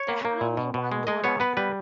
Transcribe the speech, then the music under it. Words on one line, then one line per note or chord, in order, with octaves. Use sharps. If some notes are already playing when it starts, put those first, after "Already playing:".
They had only one daughter.
Already playing: C#5
A#3
A#3
A#2
B2
B2
G#3
G#3 D#5
B3 C#5
B3 B4
G3 B4